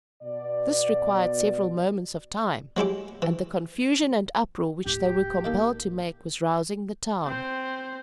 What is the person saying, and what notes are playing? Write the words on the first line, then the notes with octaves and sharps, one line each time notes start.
This required several moments of time, and the confusion and uproar which they were compelled to make was rousing the town.
B2 D5
F#3 G#3 E4 G4
E3
D#1 A2 G4
D#3 A#3 A4
C4 C5